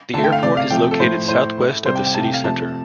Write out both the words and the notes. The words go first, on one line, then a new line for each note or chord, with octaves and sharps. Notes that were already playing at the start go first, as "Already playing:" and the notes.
The airport is located southwest of the city centre.
D3 A3 A5
G5
F5
C3 A3 D5
F5
C3 F3 A3 G5
A4
A2 F3 A3 C5
A2 A3 C5
A2 A3
C3 G3 C5
G5
G5
C3 A3 A5
G5
F5
C3 F3 A3 A5